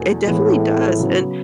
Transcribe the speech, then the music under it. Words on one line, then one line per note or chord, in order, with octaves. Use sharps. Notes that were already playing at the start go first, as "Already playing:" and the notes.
It definitely does, and
Already playing: E2 B2 A3
A2 E3 G#3 B3
C#3 F#3 B3